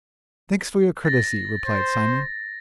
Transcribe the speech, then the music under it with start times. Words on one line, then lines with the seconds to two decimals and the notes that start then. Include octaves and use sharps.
'Thanks for your courtesy,' replied Simon.
1.05 A6 A#6
1.66 C5